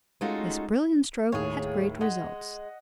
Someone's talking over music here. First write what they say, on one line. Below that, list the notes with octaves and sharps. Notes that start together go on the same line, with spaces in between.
This brilliant stroke had great results.
G#3 A3 C#4 D#4 F4 F#4
D#2 A2 G#4 C#5
G#3 D#5 F#5